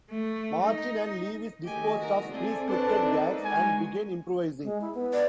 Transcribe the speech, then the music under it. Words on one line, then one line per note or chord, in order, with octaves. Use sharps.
Martin and Lewis disposed of pre-scripted gags and began improvising.
A3
D#4
F#1 D#3 A3 G4 D#5 G#5
F#4 A#4
A3 C4 G#4 A4 D5
E2 C#4 D4 B4 C5 A5
A#3 D#4 B4
G#3 F#4 G#5
G#3
E4
B3
D5